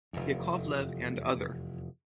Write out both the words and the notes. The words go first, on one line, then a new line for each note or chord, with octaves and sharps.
Yakovlev and other.
F1 E2